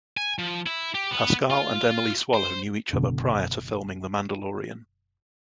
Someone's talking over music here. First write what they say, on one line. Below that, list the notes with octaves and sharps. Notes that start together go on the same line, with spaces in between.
Pascal and Emily Swallow knew each other prior to filming "The Mandalorian".
G#5
F3
E4
G4
B3
F4
C5
F#1 C#2 B2 D3